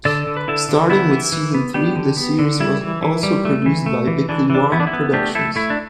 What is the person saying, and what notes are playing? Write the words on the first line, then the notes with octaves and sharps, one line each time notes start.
Starting with season three, the series was also produced by Bickley-Warren Productions.
D3 A4 D5
D3
B4
D3 E4 A4
D3
B3 E4
E3
E3
B3
B3 D4 G4
D3
B3
D3
G3 E4
E3
E3
G3
A3
E3
A3
E3
E3 D4
E3 D4
B3 E4
D4
E4
B3
A3 D4 G4
A3 E4 A4
A3 E4
D4